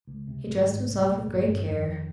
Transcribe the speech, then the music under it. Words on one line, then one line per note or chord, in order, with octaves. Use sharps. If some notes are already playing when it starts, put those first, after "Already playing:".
He dressed himself with great care.
C#2
C3
G#1
G#2
C2
A#2
G1
G2
F2
D#3